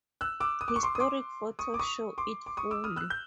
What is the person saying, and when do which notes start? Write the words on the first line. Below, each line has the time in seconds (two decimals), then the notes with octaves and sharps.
Historic photos show it fully.
0.21 E6 F#6
0.40 D6 E6
0.61 D#6
0.68 D6
0.76 C#6
0.83 C6 D6
0.95 D#6
1.00 C6 D6
1.59 C#6 D#6
1.74 D6
1.79 C#6 D#6
2.18 C6 D6
2.46 D6
2.57 C#6 D#6
2.71 D6 E6
2.84 D#6 F6
2.96 E6 F#6
3.10 G6